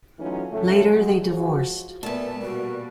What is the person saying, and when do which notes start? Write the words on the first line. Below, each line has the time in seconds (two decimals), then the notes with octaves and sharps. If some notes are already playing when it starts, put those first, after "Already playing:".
Later they divorced.
0.19 E3 F#3 A3 C#4 D#4 F4
0.51 A2 C#3 F#3 A3
0.88 F#3 G#3
1.31 F3 F#4
2.03 A#2 A3 B3 A#4 B4 D5 A5
2.42 B2 G3 F#4